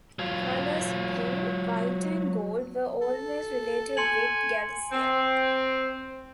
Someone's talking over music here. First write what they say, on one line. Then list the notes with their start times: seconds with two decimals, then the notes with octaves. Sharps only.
Colors blue, white and gold were always related with Galicia.
0.19 F#3 F4
3.02 A4
3.97 G#5 C6 C#7 F#7
4.92 C4